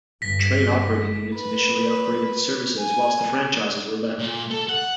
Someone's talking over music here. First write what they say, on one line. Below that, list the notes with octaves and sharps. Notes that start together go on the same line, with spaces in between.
Train Operating Units initially operated the services whilst the franchises were let.
G1 G2 A#6 B6
B4
G#5
A#2
A4
F#5